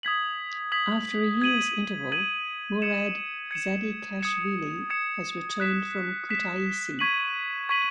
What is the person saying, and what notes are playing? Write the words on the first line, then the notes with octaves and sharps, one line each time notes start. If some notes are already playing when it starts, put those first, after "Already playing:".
After a year's interval Murad Zadikashvili has returned from Kutaisi.
D#6 G#6 B6 F#7
D#6 G#6 B6 F#7
G#6 D#7 F#7
G#6 D#7 F#7
G#6 C#7 E7
G#6 C#7 E7
D#6 G#6 C#7 E7
D#6 G#6 C#7 E7
F#6 B6 E7
F#6 B6 E7
C#6 G#6 B6 D#7 F#7
C#6 G#6 B6 D#7 F#7